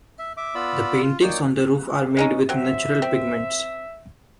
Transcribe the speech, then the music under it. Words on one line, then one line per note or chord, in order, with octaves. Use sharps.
The paintings on the roof are made with natural pigments.
E5
E5 D6
B3 F4 D5 B5 E6
F4
A#3 D#4 C#5 D5 G5
G#3 C#4 D#4
F#3 C4 E5
C4